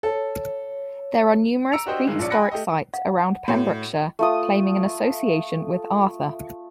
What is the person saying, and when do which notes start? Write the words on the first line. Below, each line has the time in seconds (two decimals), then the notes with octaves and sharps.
There are numerous prehistoric sites around Pembrokeshire, claiming an association with Arthur.
0.03 A4 C#5
1.72 A#5 E6 C#7 D7 F7
1.86 D4 F#4 G4 C5 D#5 G5
2.07 G2 D#3 E3 G#3
2.19 A#1 F3 C#4 D5 C#7
2.30 G5 G#5 B5 F#6 A#6 C#7
2.51 A3 G4 D#5
2.94 F5 F#5
3.48 A2 F#4 C#5 G5
4.19 A3 F4 D#6